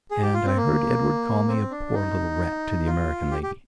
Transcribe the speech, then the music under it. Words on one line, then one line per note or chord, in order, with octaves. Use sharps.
And I heard Edward call me a poor little rat to the American lady.
G#4
G4
F4
C4
A#3
C4
D4
D#4
F4
G4
G4